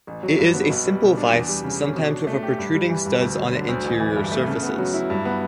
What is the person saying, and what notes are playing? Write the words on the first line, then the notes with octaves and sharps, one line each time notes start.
It is a simple vice, sometimes with protruding studs on the interior surfaces.
A1
F#3
G2
B3
B1
G3
B2
D4
E2
G3
C#3
C#4
B2
D4
A3
G4
G2
G3
E3
G2
D2
F#3
D3
D2
A1
E3
G2
A3
C#3
B3
F#3
E4
G2
B3